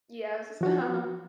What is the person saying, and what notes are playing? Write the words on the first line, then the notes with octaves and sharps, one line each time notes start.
Yes. Uh-huh. Sa
F3 F#4